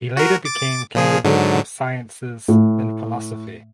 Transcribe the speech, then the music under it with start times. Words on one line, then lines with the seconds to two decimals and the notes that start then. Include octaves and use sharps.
He later became Candidate of Sciences in philosophy.
0.17 F#4 A#4
0.45 D6 A6
0.95 A#2 F3 G#4
1.24 G#2 D3 F#3
2.48 A2